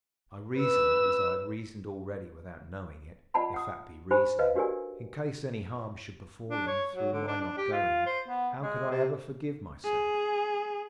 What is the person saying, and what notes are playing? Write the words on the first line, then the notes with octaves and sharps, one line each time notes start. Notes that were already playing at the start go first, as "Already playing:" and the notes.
I reasoned as I had reasoned already without knowing it,--if that be reasoning,--in case any harm should befall him through my not going, how could I ever forgive myself!
B4 E6
F4 D5 D#5 F#5 A5 B5
F#5 D#6
D#4 G4 C5 G#5 B5
B4 D#5 F5
D4 F#4 G4 A#4 D5 G#5
D4
C#5
F#3
D3
D4
D4
G4
F4
C5
B3
G#3
C3
G#4